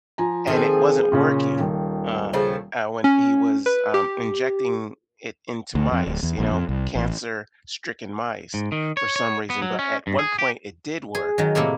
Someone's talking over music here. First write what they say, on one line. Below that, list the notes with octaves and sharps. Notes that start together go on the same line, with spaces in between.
and it wasn't working, uh, uh, when he was, um, injecting it into mice, you know, cancer-stricken mice for some reason. But at one point it did work,
F3 G#5 A#5
D#3 F3 C4 G#4 A4
A#2 C#3 C#4
D#1 D#3
C#3 F3 A3
C#4
B4
G4
D2
F2
D1
E2
A#1
F2
C2
A1
G#2
D#3
C#5
C#5
B3
F#3
C#4
G2
G#4
G4
G#4
D#3 F#3
A2 C3 A3 A#3 E4